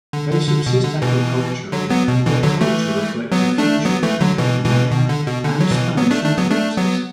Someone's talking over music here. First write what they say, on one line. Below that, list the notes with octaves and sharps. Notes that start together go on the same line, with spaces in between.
They subsist agriculturally, and their culture reflects a fusion of Maya and Spanish influences.
D3
D3
D3
B2
D3
B2 E3
D3 F#3
F#3 B3
B2
B2 E3
D3 F#3
E3 A3
F#3 B3
A3 D4
F#3 B3
E3 A3
D3 F#3
B2 E3
B2 E3
B2
D3
B2
D3
F#3
B2 E3
F#3 B3
A3 D4
A3 D4
F#3 B3
A3 D4
F#3 B3